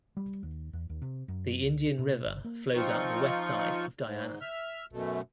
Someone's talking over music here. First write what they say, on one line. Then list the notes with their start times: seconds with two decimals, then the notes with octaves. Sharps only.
The Indian River flows out the west side of Diana.
0.17 G3
0.43 D#2
0.73 E2
0.90 D#2
1.02 C3
1.28 F#2
1.63 C#2
1.99 B2
2.25 G1
2.44 A#3
2.73 F3 C4 D#4 F4 C#6
4.04 G#2
4.41 E5 F6
4.92 F#2 B2 A3